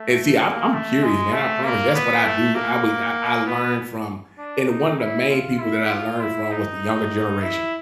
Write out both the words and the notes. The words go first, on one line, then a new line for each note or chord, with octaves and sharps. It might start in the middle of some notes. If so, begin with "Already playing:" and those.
and see, I'm I'm curious, man, I promise you, that's what I do, I would I I learned from and one of the main people that I learned from was the younger generation
Already playing: A3
A#3
A3
G#3
A3
A#3
B3
A3
A#3
B3
D4
D#4
E4
F4
E4
F4
E4
D#4
E4